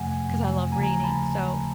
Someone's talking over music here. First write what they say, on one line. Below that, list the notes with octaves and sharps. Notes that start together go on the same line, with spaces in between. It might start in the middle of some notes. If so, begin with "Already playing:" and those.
'cause I love reading, so
Already playing: F2 C3 F3 A3 F#5 G#5
F2 C3 F3 A3
D#2 C#3 F3 A3 G#5 A#5
G#5 A#5
A5 B5